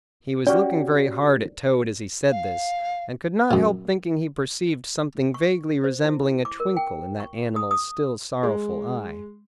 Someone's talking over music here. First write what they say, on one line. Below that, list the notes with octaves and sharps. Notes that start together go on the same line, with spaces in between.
He was looking very hard at Toad as he said this, and could not help thinking he perceived something vaguely resembling a twinkle in that animal's still sorrowful eye.
C#4 F#4 G4 D5
F5
F#2 A#2
C#6
C5
E4
D6
A#4
G5
C#6
D#6
D#6
G#3